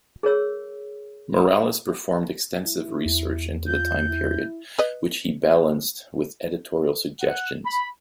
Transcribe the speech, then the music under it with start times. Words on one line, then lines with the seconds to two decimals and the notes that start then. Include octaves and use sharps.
Morales performed extensive research into the time period, which he balanced with editorial suggestions.
0.23 G#4 A#4 C#5 E6
2.64 E4
3.05 E2
3.66 F4 G6
4.09 E4
4.79 B4 D#5
7.21 F#5
7.65 B5